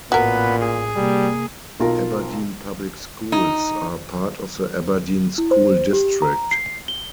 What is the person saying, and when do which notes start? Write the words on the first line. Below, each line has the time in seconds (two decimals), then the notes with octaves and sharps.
Aberdeen Public Schools are part of the Aberdeen School District.
0.12 A1 A#2 B3 F#4 A#4 B4
0.61 G#4
0.96 C3 G3 A#3
1.80 B1 F4 A#4
3.32 D#4
5.38 E4
5.51 C5
5.93 G4
6.22 A#5
6.51 C7
6.88 G7